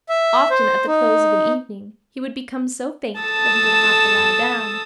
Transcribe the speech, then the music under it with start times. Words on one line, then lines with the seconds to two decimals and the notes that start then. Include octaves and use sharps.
Often at the close of an evening he would become so faint that he would have to lie down.
0.09 E5
0.51 C5
0.87 D#4
3.18 A4 A5 D#6 E6